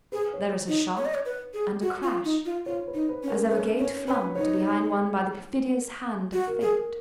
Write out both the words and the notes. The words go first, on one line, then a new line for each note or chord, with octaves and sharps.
There is a shock and a crash, as of a gate flung to behind one by the perfidious hand of fate.
G#4 B4
C#5
D#4
C#5
D#5
C#5
B4
G#4
F#4
F4
D#4
F4
F4 C#5
B4
D#4
B4
C#4
A#4
C#4 B4
C#4 C#5
C#4 B4
D#4 C#5
F#4
A#4
G#4